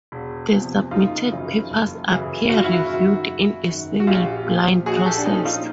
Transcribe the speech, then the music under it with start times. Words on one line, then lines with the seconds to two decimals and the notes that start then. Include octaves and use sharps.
The submitted papers are peer-reviewed in a single-blind process.
0.12 E1
0.52 E2 C3 F3
0.91 F#1 D#4 F4
1.31 F#2 C#3 E3
1.70 F#1
2.10 F#2 C#3 E3
2.49 F#1 F#4
2.57 F4
2.64 E4 F#4
2.89 F#2 D#3
3.28 F#1
3.68 F#2 D#3
4.00 F#4
4.07 A#1 F4 G4
4.47 A#2 F3
4.86 A#1 F#4 G#4
5.06 G4 A4
5.18 D4
5.26 A#2 F3 C#4 D#4
5.45 D#4 F4